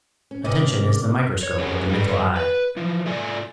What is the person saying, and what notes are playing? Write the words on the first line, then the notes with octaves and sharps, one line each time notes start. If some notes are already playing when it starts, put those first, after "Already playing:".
Attention is the microscope of the mental eye.
C#4
C3 B3 C#4 D#5 D6
D#3 G#3
C#5
C#4 G4 G#4 A#4 F#5 G#5
G2 A4 B4 F5 G5
B4
E3 F3
A3 F4 D5 G#5